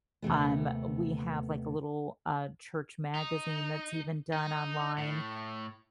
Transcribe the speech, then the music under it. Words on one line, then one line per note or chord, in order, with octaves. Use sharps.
Um, we have, like, a little, uh, church magazine that's even done online.
D#2 C3 A3 B3
D#4
D#4
A2